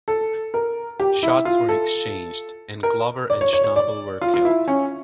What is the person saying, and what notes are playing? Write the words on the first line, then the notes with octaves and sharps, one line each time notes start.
Shots were exchanged, and Glover and Schnabel were killed.
A4
A#4
G4
E4
F4
A4
A#4
D5
C#5
C#5
C#5
D5
F4
F4
E4
C#4